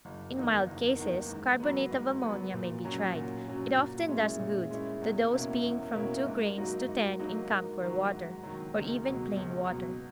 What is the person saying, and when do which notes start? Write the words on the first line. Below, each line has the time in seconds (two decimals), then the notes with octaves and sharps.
In mild cases carbonate of ammonia may be tried; it often does good, the dose being from two grains to ten in camphor water, or even plain water.
0.05 F#1
0.36 E2 D#3 A#3 D#4
0.67 F#1
0.99 E2 D#3 A#3 D#4
1.29 G#2
1.60 F#3 B3
1.91 G#2
2.22 F#3 B3
2.54 A#2
2.85 F#3 C#4 F#4
3.15 A#2
3.47 F#3 C#4 F#4
3.77 A#2
4.08 G#3 C#4 E4
4.39 A#2
4.71 G#3 C#4 E4
5.02 E2
5.33 B2 A#3 C#4 E4
5.64 E2
5.95 B2 A#3 C#4 E4
6.26 G#2
6.57 F#3 A#3 D#4 F#4
6.88 G#2
7.19 F#3 A#3 D#4 F#4
7.50 G#2
7.81 D#3 F#3
8.12 G#2
8.43 D#3 F#3
8.75 C#2
9.06 B2 F#3
9.37 C#2
9.68 B2 F#3